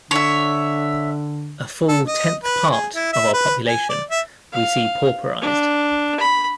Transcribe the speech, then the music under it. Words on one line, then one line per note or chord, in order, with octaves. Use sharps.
A full tenth part of our population we see pauperized.
D3 C#5 E5
A4
D#5
B4
G#4
E4
E5
B4
G#5
D5
E5
F5
D4
B5